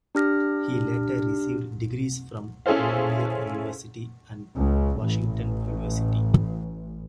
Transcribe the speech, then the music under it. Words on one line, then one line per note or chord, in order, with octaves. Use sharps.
He later received degrees from Columbia University and Washington University.
D4 G4 F6 A#6
C#4 E4 G#4 A4 C5 F5
C#2
A1